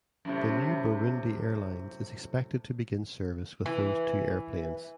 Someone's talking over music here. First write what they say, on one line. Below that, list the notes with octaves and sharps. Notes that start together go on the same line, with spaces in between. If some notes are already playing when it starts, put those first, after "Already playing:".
The new Burundi Airlines is expected to begin service with those two airplanes.
F#2 A2 C3
E3